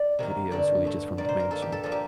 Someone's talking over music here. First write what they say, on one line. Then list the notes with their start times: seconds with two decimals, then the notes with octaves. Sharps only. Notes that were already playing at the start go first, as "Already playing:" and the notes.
i it was really just from the mansion,
Already playing: D5
0.19 C3 D#3 A#3
0.51 G2 D3 A3 D5
0.84 G2 D3 A3
1.17 G2 D#3 A#3 D5
1.29 C5
1.40 A#4
1.50 G2 D#3 A#3 A4
1.62 G4
1.72 A4
1.83 A#2 F3 A#3 A4
1.92 G4